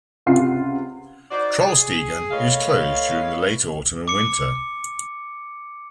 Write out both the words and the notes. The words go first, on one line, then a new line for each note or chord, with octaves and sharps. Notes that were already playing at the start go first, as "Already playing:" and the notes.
"Trollstigen" is closed during late autumn and winter.
C#2 C3 F4 F#5 C7
D#4 F#4 C5 D5
G#4
A3 F4 B4 C#5 D#5 F5
D6 C#7